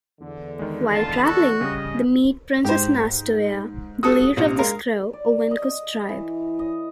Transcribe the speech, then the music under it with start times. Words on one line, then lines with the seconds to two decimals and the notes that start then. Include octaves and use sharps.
While traveling, they meet Princess Nastoya, the leader of the Scrow, a Vinkus tribe.
0.21 E2 D3
0.59 D#3 G#3
0.94 F4 A5
1.23 F#4 A4
1.61 C#3 G3 D#5
2.65 G#2 G4 C5
4.03 F#4 G4 A4 D#6
4.37 A#1 C3
4.59 G#3 A#4 F5
5.13 D5
5.51 D#5
6.09 E3
6.59 D#5